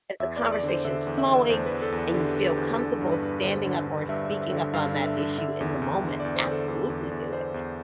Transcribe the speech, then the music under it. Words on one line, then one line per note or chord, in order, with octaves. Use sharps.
if the conversation's flowing and you feel comfortable standing up or speaking up on that issue in the moment, absolutely do it,
E2 E5
D5
E2
D5
D3
C5
D3 E5
E2
E5
E2
E5
E2 C5
B4
E2
A4
E2
A4
D3 G4
D3
G4
E2
D3 A4
G2
B4
G2
D3 C5
D3
D3
G2 E5
E5
D3
E5
D3
E5
G2 F5
D3
E5
D3
D3 E5
E2
E2
D3
D5
E2
C5
D3 A4
E2 A4
E2
E2
E2 C5
E2